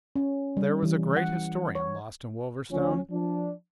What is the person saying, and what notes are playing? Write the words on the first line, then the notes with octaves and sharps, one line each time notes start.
There was a great historian lost in Wolverstone.
C#4
G3
E3
F#5
C#5
D2 F3 C#4
F3 D4